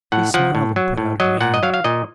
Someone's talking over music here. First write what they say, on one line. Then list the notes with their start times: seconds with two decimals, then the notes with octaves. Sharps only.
She smiled and put out her hand.
0.12 A2 F#5
0.34 F3 F#5
0.55 A2
0.76 F#3
0.97 A2
1.20 F#3 D#5
1.41 A#2 F#5
1.54 D#5
1.63 F#3 F5
1.74 F5
1.84 A#2 D#5